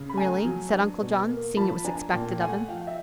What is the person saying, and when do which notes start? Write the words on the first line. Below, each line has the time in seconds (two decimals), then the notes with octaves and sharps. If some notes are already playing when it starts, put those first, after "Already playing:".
"Really?" said Uncle John, seeing it was expected of him.
Already playing: C#3
0.09 B5
0.17 A3 G#5 A#5
0.45 F#3
0.73 D4
1.01 B2
1.29 A#3
1.57 F3 A5 B5
1.84 D4 G#5 A#5
2.13 A#2 G5 A5
2.40 A3 F#5 G#5
2.68 F3 F5 G5
2.87 E5